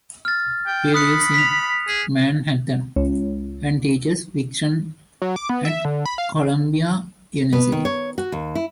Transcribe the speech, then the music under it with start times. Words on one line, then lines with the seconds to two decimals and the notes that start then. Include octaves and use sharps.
He lives in Manhattan and teaches fiction at Columbia University.
0.25 F6 A6
0.66 G5
0.94 B5 D#6 F#6 C#7
1.34 B6 F7
1.88 G#4
2.96 C#2
5.22 F#3
5.36 D6
5.49 B3
5.65 E5
5.85 D3
6.06 B5
6.18 F5
7.53 B3
7.72 D#3
7.85 C#5
8.18 F#4
8.32 D#2
8.55 E4